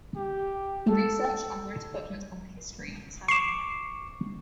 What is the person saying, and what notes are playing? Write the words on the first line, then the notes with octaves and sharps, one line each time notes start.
He researched and wrote a booklet on the history of his family name.
G4
A4
C#6 D6 C7 E7